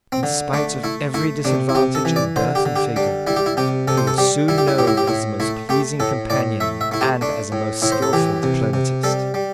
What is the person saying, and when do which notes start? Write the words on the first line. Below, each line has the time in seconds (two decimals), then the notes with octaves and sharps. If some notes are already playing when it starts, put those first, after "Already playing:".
In spite of every disadvantage of birth and figure he was soon known as a most pleasing companion and as a most skilful diplomatist.
0.12 C4
0.23 D3
0.53 A3 D4
0.84 A3 E4
1.14 A3 E4
1.45 C3 D4
1.69 E4
1.75 C3 G4
1.95 A4
2.05 E3
2.16 D5
2.36 D3 C5
2.55 G4
2.65 D3
2.76 G4
2.96 G3 D4
3.27 G3 E4
3.36 G4
3.46 E4
3.57 C3 G4
3.88 C3 A4
3.97 C5
4.07 A4
4.18 G3 G4
4.48 G3 E4
4.58 G4
4.68 E4
4.78 A2 G4
4.87 E4
4.97 G4
5.07 A2 E4
5.40 A3 E4
5.69 A3 G4
6.00 A2 A4
6.30 A2 D5
6.60 A3 E5
6.81 E5
6.91 A3 E4
7.01 G4
7.21 A3 D4
7.52 A2
7.82 A2 E4
7.92 C5
8.02 A4
8.13 E3 G4
8.43 C3
8.73 C3
9.04 G3 A4
9.34 G3